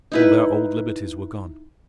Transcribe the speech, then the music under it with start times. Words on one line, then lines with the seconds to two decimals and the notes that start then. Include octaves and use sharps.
All their old liberties were gone.
0.12 D#4 E4 B4